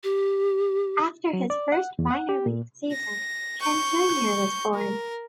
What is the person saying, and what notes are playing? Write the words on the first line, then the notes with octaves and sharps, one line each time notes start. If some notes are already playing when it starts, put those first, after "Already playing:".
After his first minor-league season, Ken Junior was born.
G4
F#3
D5
F#5
E2
F#5
G4
A#2
A#6
C#6 G6
A#4